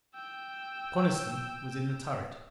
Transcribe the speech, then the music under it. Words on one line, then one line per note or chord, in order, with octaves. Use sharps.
Coniston was in the turret.
G5 E6